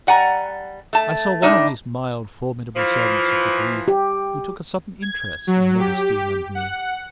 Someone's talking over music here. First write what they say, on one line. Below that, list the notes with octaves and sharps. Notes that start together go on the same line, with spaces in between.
I saw one of these mild formidable servants of the glebe, who took a sudden interest in Modestine and me.
G3 F#5 G#5 A#5
A3 A5
A2 D4 D#4 E5
E3 F3
G4
G#6
F#3
G4
F#5